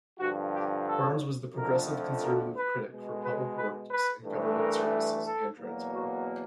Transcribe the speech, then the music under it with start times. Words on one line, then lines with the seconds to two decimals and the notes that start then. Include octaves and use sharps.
Barnes was the Progressive Conservative critic for Public Works and Government Services, and Transport.
0.18 G2 D3 F3 F#4
0.52 G4
0.87 A4
1.53 F2 D3 F3 A3 A#4
2.21 A#4
2.55 B4
2.88 B2 G#3
3.23 B4
3.56 B4
3.90 B4
4.23 G2 E3 A3
4.57 A#4
5.25 A4
5.59 E2 B2 F#3 A#3
5.93 F#4